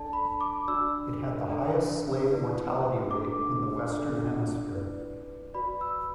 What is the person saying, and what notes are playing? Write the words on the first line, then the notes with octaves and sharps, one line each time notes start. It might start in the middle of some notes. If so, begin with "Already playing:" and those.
It had the highest slave mortality rate in the western hemisphere.
Already playing: D4 A4 D5 A5
B5
D6
D4 F#4 D5 E6
D4 A4 D5
E4 B4 D5
D4 F#4 A4 D6
D4 A4 D5
E4 B4 D5
F#4 B4 D5 B5
E6